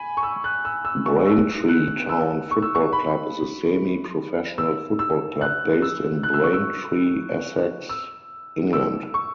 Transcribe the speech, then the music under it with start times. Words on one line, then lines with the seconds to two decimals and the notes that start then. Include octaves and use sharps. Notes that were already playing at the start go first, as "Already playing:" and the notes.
Braintree Town Football Club is a semi-professional football club based in Braintree, Essex, England.
Already playing: G#5 B5
0.17 C#6
0.23 E6
0.44 F#6
0.65 E6
0.85 E6
1.06 C#6
1.26 E6
1.68 F#6
2.09 E6
2.51 C#6
2.62 E6
2.75 C#6
2.93 B5
4.58 E6
4.99 E6
5.41 F#6
5.82 E6
6.23 F#6
6.34 E6
6.43 C#6
6.53 E6
7.89 E6
8.73 E6
9.14 C#6